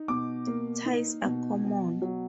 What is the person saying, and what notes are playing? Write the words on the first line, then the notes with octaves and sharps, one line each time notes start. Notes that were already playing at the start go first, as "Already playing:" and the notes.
Ties are common.
Already playing: D#4
B2 D6
A#3
D#4
B2
B2
F#3